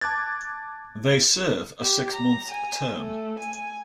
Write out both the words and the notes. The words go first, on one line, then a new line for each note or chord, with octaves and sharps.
They serve a six-month term.
A5 D6 F#6 G#6 A6
G4
A#5
G#5
A3
G#5